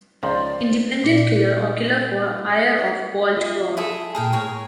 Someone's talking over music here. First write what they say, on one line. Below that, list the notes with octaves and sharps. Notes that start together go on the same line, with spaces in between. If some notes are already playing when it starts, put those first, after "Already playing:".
Independent killer or killer for hire of Paul Tabor.
C#2 D#3 F3 C5 D5
A#2 D5
F4 D#5 E5
E4 G#4 A4
A#2 G#4 A#4 G5 A5
A2 G#4 A#4 C#5